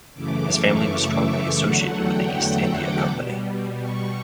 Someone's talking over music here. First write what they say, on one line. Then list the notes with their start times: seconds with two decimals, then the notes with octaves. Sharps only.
His family was strongly associated with the East India Company.
0.14 F#2 C#3 E3 A3 D6
0.51 C#6
0.87 E5
1.24 E5
1.60 E2 D3 F#3 A3 F#5
1.97 G5
2.70 D6
3.07 B2 G3
3.80 C#6